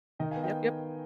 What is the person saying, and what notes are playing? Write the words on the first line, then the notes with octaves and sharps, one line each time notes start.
Yep, yep.
D#3 D#5 G5
F5 G#5
B3
D#5 G5